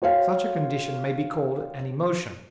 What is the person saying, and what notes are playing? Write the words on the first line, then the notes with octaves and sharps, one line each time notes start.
Such a condition may be called an emotion.
F#4 C5 C#5 F5 G5